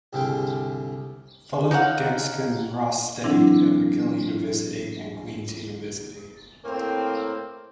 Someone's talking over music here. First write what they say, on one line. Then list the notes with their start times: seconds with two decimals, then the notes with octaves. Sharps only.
Philip Dansken Ross studied at McGill University and Queen's University.
0.13 C2 G#2 D3 G3 F5 G5
1.71 D#4 C#5 F5 F#5
3.24 E3 F#3 C4 D4 E4 F#5
6.64 A2 A#3 C4